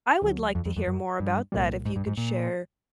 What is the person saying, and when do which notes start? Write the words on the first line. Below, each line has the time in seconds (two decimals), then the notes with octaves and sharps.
I would like to hear more about that if you could share
0.22 D2 D3 F#3
0.55 F2
0.65 F2
0.77 F2
0.87 F#2
1.20 G2
1.52 C2 A#2 G3
1.86 G#2
1.96 G2
2.07 G#2
2.17 A#2